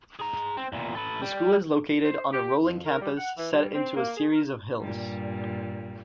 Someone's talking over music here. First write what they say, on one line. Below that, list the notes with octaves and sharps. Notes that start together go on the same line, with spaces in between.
The school is located on a rolling campus set into a series of hills.
G#4 A#5
C4
E2 A#2
A4 B4
G3
C5
G4
F2
A#4
G3
F#5
E3
G3
C4
A#3
G#4
A#4
G2 A#2 G3